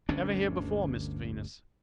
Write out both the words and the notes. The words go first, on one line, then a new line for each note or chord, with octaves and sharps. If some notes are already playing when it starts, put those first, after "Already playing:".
Ever here before, Mr Venus?'
G1 D2 C#4 D4